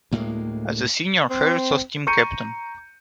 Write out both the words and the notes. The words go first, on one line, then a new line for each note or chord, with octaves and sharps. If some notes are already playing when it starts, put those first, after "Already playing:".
As a senior, Harris was team captain.
D2 A2 G#3 A#3
C4
A#5 C#6 G6 C#7 D#7